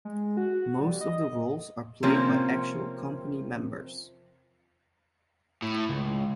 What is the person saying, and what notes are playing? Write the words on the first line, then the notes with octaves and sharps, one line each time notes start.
Most of the roles are played by actual company members.
G#3
F#4
G3
D#5
C3 F3 A#3 C4 C#4
A2
C#2